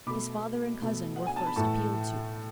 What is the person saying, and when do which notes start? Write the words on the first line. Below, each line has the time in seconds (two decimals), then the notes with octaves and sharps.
His father and cousin were first appealed to.
0.06 B2 A3 B5 D6
0.82 B2 A3
1.16 F#5
1.26 G#5
1.36 A5
1.46 B5
1.56 A2 E3 A3 A5 C#6